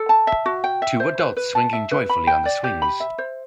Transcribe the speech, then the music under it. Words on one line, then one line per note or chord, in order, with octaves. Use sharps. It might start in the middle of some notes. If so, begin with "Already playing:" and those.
Two adults swinging joyfully on the swings.
Already playing: A4
A5
E5
F#4
G5
E5
C5
B4
B4
A5
E5
B4
B5
G5
D5
G4
B5
E5
C5